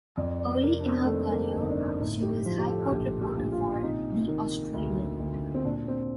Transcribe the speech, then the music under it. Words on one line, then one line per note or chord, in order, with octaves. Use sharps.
Early in her career she was High Court reporter for "The Australian".
F2 D5
D5
C3 A#4
D4
C4
A3
D#3 A#3
A#3
C4
G1
D#4
D4
A2 D#4
G4
F3 F4
G4
A4
A#1 G4
G4
A#1
F4
F4
C3 D#4
D#3
D2
D2
C4
A#2 D4
C4